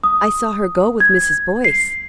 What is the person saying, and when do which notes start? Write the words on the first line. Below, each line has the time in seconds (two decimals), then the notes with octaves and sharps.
"I saw her go with Mrs. Boyce."
0.04 D#6
1.00 G#6
1.64 C7